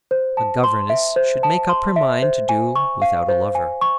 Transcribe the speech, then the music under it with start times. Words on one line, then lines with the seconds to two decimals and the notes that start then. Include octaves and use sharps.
A governess should make up her mind to do without a lover.
0.11 C5
0.37 A5
0.64 C6
0.90 E5
1.16 C5
1.43 A5
1.69 C6
1.96 E5
2.22 C5
2.49 G#5
2.76 C#6
3.02 F5
3.29 C5
3.55 G#5
3.81 C#6